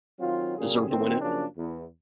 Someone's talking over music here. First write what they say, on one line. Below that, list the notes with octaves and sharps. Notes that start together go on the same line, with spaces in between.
deserve to win it.
D#3 F#3 C4 F4
F#2 A#2 C#3 G4 G#4
D#3 B3 C4
F#2 C#3 F3 A#3 D4
E2